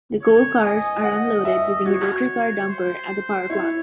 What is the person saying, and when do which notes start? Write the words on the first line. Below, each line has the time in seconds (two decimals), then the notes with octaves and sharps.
The coal cars are unloaded using a rotary car dumper at the power plant.
0.23 C#5
0.63 D#5 G#5
1.04 F#5
1.45 E5
1.86 F#4 C#5
2.68 C5
3.50 E4 C#5